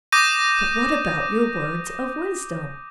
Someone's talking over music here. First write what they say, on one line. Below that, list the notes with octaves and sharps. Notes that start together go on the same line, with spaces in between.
'But what about your words of wisdom?'
D6 D#6 G6 A#6 D#7